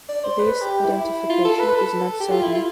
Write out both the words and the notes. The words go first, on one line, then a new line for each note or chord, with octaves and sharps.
This identification is not certain.
D5
C5
B4
G4
E4
F4
A4
B4
A4
G4
F4
E4
F4